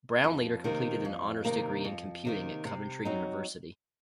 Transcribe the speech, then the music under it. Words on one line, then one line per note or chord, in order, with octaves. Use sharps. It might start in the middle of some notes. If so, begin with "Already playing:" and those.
Brown later completed an honours degree in computing at Coventry University.
F2
C3 D#3 A#3
F2
C3 D#3 A#3
F2
C3 D#3 A#3
C3
F#3 C4 D#4